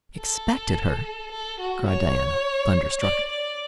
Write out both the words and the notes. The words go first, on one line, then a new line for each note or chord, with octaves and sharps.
"Expected her!" cried Diana, thunderstruck.
A4
A4
F#4
C#5
D5
D5